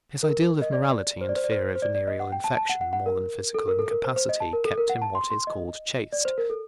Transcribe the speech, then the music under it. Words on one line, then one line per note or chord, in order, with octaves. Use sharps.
His ideal of morality and fear of venereal infection, more than physical incapacity, kept him what is called chaste.
A#4
D#5
D5
C5
D5
C5
D5
C5
C5
D5
D5
D#5
F#5
G5
A5
A5
F#5
F#5
F#5
A#4
A4
A#4
A4
A#4
C5
C5
D#5
A5
A#4
A4
A#4
F#5
A5
C6
C6
D#5
D5
C5
A#4
A4